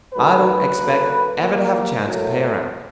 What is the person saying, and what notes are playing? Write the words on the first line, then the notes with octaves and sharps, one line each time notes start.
I don't expect ever to have a chance to pay her out.
D#3 F#3 A3 B4
D3 F#3 A#3
A#2 G3 A#3 A#4
A2 F#3 A3